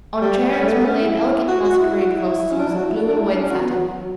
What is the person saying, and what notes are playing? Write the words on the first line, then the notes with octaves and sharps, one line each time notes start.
On chairs were laid elegant masquerade costumes of blue and white satin.
G3
G3
A3
B3
C#4
E4
F#4
F#4
E4
F#4
E4
C#4
D4
E4
F#4
E4
D4
D4
E4
D4
C#4
F#4
B3
F#3